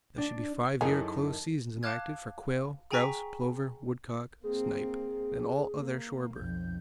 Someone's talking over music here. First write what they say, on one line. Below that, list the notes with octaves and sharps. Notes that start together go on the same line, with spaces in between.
There should be five-year close seasons enacted for quail, grouse, plover, woodcock, snipe, and all other shore birds.
D4
F#2 D#3 D#4 E4 G#4 A4 C#5
F5 A5 D6 F6 F#6 G#6
G#4 G5 G#5 A#5 C#6 B6
A#3 C4 G#4
A#3
B1 F2 G6